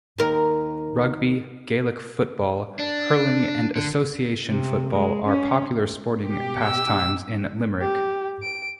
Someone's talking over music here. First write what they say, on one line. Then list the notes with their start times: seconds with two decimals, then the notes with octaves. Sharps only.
Rugby, Gaelic football, hurling and association football are popular sporting pastimes in Limerick.
0.18 D#2 A#4
2.79 D4
3.76 D3
4.49 C3
4.90 G#3
5.27 C#4
6.24 B2 G4
6.62 E6
7.81 G4
8.43 D7